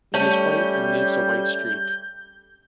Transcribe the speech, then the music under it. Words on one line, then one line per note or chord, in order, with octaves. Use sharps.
It is white and leaves a white streak.
G3 A3 C#4 G6